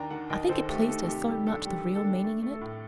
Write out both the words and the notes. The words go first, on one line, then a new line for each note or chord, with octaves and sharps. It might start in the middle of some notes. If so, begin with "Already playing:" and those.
I think it pleased her so much, the real meaning in it.
Already playing: D#2 D4 G5 A#5
D#3 F#5 A5
D#2 D#5 G5
D#2 A4 C5
A3 G4
D#3 A4
A4
C3 G4
G3 A4
D4 A4
G3 G4
D4
A4
D4
A3
A3
A4
A2